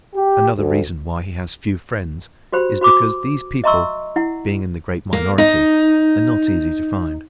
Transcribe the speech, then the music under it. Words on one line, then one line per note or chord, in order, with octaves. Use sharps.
Another reason why he has few friends is because these people, being in the great minority, are not easy to find.
G4
D2
F#4 G4 C5 B5
F#4 C5 B5 C6 D6
D#5 E5 A#5 C6 C#6 E6
E4 F#5
A#3
D#4